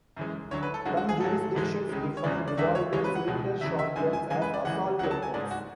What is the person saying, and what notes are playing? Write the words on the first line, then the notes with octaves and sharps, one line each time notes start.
Some jurisdictions define revolving cylinder shotguns as assault weapons.
F#2 E3 G#3
D2 D3 F#3 C#5
B4
A4
F#2 D3 G#3 F#4
F#4
G#4
G#2 F#3 A4
G#2 E3 G#3
C#2 C#3 G#3
C#5
E2 C#3 E3 G#3 D5
D5
E2 D3 G#3 E5
C#5
F#2 E3 G#3 C#5
B4
F#5
C#2 B2 G#3
E2 C#3 E3 E5
E5
F#2 D3 G#3 G#5
G#5
F#2 E3 G#3 G#5
B4
D5
F#2 E3 G#3 F#5
C#2 C#3 F#3 F#5
A5
G#5
G#2 G#3 D5
F#4